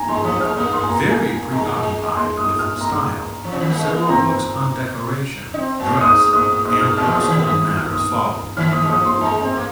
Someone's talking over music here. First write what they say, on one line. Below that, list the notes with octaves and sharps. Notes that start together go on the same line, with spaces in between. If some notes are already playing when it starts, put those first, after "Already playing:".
Very preoccupied with style, several books on decoration, dress, and household matters followed.
Already playing: G#5 A#5
G#3 C6
F3 D#6
G#3 F6
A#3 D#6
A#3 C6
G#5
A#5
G#5
G#5
G#3 A#5
A#3
G#3
C6
D#6
F6
A#5
F3
C3
D#3
A#3
G#3
A#3
C4 A#5
D#4
C4
A#2
G#2 D#6
G#2 D#6
G#2 D#6
F6
A#2 F6
G#2
A#2 D#6
D#3
D#6
F6
D#6
D#3 F6
D#6
G#3
F3 D#6
C6
G#3 A#5
C4
A#3